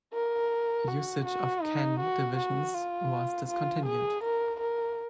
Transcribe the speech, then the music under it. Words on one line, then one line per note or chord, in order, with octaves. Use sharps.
Usage of "Ken" divisions was discontinued.
A#4
F#4
F#4
D#4
F#4
F#4
F4
F4
G#4
A#4
A#4